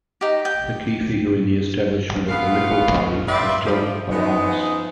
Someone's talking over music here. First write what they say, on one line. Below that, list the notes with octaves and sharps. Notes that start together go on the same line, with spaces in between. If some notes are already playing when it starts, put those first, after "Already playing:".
The key figure in the establishment of the Liberal Party was John Ballance.
D#4 G4
G5
C#3 A3 B3 F4 F5
G4 B4 C5 D5 E5 F5
F3 G3
F3 G#3 B3 D#4